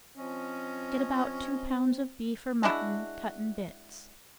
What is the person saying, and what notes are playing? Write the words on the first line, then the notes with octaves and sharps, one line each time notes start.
Get about two pounds of beef or mutton, cut in bits.
F3 C4 C#4 D#5
G#3 D4 E4 F#4